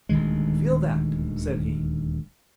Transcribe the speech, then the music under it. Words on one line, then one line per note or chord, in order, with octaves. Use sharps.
"Feel that!" said he.
D#1 D2 D#3 G#3